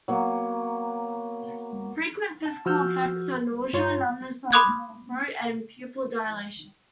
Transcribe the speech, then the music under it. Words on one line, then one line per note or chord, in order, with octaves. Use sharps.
Frequent physical effects are nausea, numbness of the tongue or throat, and pupil dilation.
F#3 A#3 B3
A5
F3 F#4 E6 F6 G6
G2 F4 C#5 C6
B5 C6 D6 D#6 F#6 G#6